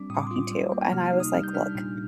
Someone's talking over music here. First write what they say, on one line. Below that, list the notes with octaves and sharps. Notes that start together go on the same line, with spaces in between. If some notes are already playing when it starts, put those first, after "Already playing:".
talking to, and I was like, "Look,
Already playing: G3 C4 D4 D6
A2 D#6
D6
C6
F4 D6
G3
A#3
C3 F6
F6
D#4
D#6
G3 F6
G6
D4 F6
A#2